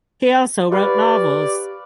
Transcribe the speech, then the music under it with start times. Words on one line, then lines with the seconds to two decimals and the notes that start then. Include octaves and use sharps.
He also wrote novels.
0.71 G4 B4 D5 F5 C#6